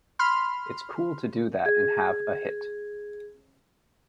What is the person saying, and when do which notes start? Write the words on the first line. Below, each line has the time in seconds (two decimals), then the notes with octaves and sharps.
It's cool to do that and have a hit.
0.19 B5 C6 F6
1.66 G#4 G#6